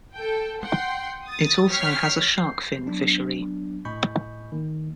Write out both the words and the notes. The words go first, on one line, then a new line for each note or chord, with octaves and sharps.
It also has a shark fin fishery.
A4 G5
F#5 G5 C6
D#6 A6
C#5 G5 F6 B6 C7
G6 C7
F#3 B3 D4
A2 D#5 G#5 B5 C#6 G6
D#3 A#3